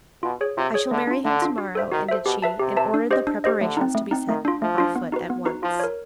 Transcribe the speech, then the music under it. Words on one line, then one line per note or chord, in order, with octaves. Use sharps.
'I shall marry him to-morrow,' ended she; and ordered the preparations to be set on foot at once.
B2 F4
G#4 C#5
C3 F4
G#4 C#5
D3 A3
D4 F4
D3 A3
D4 F4
F#4
A4 C5 E5
D#3 F#4
A4 C5 E5
B2 G4
B4 E5 A5
C3 G4
B4 E5 A5
D4
G4 C5 D#5
D4
G4 C5 D#5
D3 A3
C4 D#4
A3
C4 D#4
D#3 A3
D4 F4
F3 A3
D4 F4
B3
D#4 F#4 B4
B3
D#4 F#4 B4
F3 F4
A#4 C#5